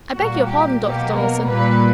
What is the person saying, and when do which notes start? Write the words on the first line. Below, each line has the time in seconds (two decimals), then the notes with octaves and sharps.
'I beg your pardon, Dr. Donaldson.
0.14 A#2 G3 A#3 F#4
0.48 G4
0.81 B2 F#3 A#3 G4
1.14 A#4
1.47 A#2 G3 A#3 B4